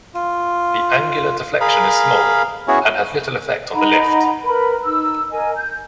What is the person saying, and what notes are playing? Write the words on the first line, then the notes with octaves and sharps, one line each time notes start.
The angular deflection is small and has little effect on the lift.
F4
G#4 A#4 F5 B5
B3 C#4 E4 F#4 G#4 C#5
D#4 F#5 A#5 B5
A#4 B4 B5
D#4 E6
A#4 D#5 G#5
G6